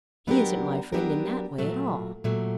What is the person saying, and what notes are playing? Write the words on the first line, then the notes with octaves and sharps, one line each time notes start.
"He isn't my friend in that way at all."
F#3 B3 D4 G4 A#4
F#3 B3 D4 G4 A#4
A#2 F#3 A3
A#2 F#3 A3